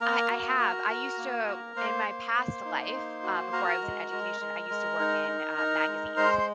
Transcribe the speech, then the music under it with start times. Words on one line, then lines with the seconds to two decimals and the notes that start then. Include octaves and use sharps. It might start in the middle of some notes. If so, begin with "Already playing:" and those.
I I have, I used to uh, w in my past life, uh, before I was in education, I used to work in, uh, magazines,
0.01 A#3 A#4 A#5
0.30 F#4
0.60 F#4
0.89 F#4
1.18 A#3
1.47 A#3
1.76 A#3 C5 C6
2.06 A#3
2.35 A#3
2.65 D#4
2.94 A#3
3.23 F#4
3.52 F#4 A#4 A#5
3.82 G#3
4.12 G#3
4.41 G#3
4.70 G#3
4.99 D#4
5.28 D#4
5.58 D#4
5.87 G#3
6.17 G#3 C5 C6
6.39 C6